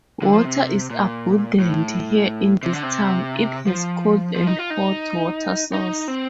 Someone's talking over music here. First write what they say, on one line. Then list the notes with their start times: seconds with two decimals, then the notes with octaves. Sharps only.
Water is abundant here in this town, it has cold and hot water source.
0.22 D3
0.33 F3
0.45 C3
0.90 A#2
1.60 A2
2.63 C3
2.73 D3
2.83 C3
3.67 F3
4.36 F3
4.47 D#4
4.59 F4
4.70 D#4
5.73 D#4
6.08 C4